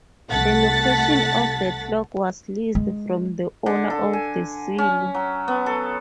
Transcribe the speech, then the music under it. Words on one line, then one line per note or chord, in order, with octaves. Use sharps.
The location of the clock was leased from the owner of the silo.
C2 A3 F#5 A5 A6 B6
G#3
D3
A4
G#5
C#4
F#3
B3
A4